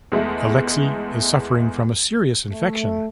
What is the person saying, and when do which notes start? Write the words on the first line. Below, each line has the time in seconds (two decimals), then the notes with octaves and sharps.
Alexi is suffering from a serious infection.
0.12 E2 G#3 A3
2.50 A3